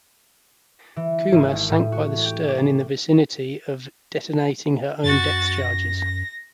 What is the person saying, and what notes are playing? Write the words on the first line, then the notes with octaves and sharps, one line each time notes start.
"Kuma" sank by the stern in the vicinity of detonating her own depth charges.
E3
G#1
A2
F#4
G4
D6
F#2 F#4 A6
A#6